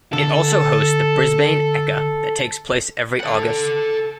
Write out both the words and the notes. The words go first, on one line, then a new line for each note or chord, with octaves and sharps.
It also hosts the Brisbane Ekka that takes place every August.
D3 A4
A4 F#5